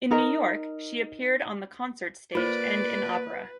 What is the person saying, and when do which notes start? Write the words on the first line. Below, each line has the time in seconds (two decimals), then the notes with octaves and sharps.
In New York, she appeared on the concert stage and in opera.
0.11 D#4 A#4
2.35 A#3 F4 B4 C5 D5